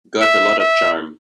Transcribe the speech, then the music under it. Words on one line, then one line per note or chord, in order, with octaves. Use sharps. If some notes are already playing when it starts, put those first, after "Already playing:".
Got a lot of charm.
E5
E5